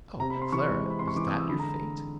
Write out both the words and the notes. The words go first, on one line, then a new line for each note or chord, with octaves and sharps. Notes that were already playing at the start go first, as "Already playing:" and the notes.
"Oh, Clara, is that your fate!"
C3 A#5
B5
C4 C6
E3 C#6
G#3
C3
B5
C4 C6
C#6
E3 D6
D#6
G#3
E6
D3 B5
A#5